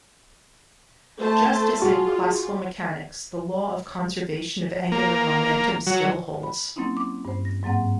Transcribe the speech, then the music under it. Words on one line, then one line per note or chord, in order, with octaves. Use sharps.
Just as in classical mechanics, the law of conservation of angular momentum still holds.
A3 C5 A5
F4 F#4 G#4
A#3
F#3
B5
F#3 A#3 C4 C#4 D#4 E4
D6
G2 C5
A#6
G#2 F#3 A#3 C4 F#5